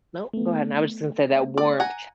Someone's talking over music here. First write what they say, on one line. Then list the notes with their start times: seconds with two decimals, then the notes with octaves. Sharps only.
no, go ahead, and I was just gonna say that warmth
0.33 A3 B3
1.58 D5
1.80 F#5 G#5 A#5